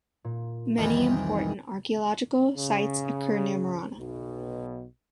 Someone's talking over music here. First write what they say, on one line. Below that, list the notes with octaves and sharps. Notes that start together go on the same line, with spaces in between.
Many important archaeological sites occur near Marana.
A#2
C2 F2 D#3 E3
D#4 G5
C#3
B1 B2